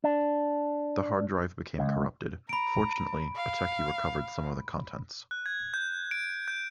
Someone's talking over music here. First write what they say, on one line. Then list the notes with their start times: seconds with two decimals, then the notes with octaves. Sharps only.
The hard drive became corrupted, fortunately, a techie recovered some of the contents.
0.04 D4
1.79 C#2
2.49 A#5 B5 D7
3.36 F5
5.31 F#6
5.46 G#6
5.74 G6
6.11 D7
6.48 G6